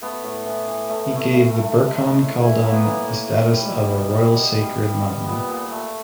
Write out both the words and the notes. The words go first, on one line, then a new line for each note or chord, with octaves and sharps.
He gave the Burkhan Khaldun the status of a royal sacred mountain.
A3 B3
A2
E3
E3
A2 A3
A2 A3
A3
A3
G#3
A2
A2
E3
A2 A#3
B3
E3 A#3
A2
A2
G3
B2
B2
G3
B2
G3
G3
G3
A#2 B3
A#2
A3